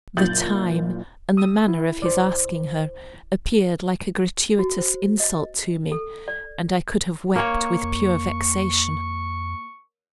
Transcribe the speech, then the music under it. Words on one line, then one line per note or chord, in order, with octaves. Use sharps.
The time and the manner of his asking her appeared like a gratuitous insult to me; and I could have wept with pure vexation.
F#1 A#2 G6 A6 F#7
D#6 E6
E4
C2 C5 D5
F#4
C5
D#5
A4
D5
A#3 C#5 C#6
F2